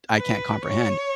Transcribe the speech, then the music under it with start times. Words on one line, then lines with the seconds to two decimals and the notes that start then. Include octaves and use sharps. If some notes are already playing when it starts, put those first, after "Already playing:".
I can't comprehend.
0.19 B4
0.65 C#5